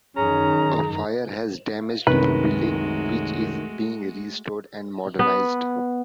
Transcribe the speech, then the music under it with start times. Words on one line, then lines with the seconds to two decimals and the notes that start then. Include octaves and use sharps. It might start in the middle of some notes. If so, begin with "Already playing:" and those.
A fire has damaged the building, which is being restored and modernised.
0.16 F#2 D#3 C#4 G#4 A#5
2.07 C2 F#2 C3 D#3 G#3 A3 F#4 B4
5.19 B3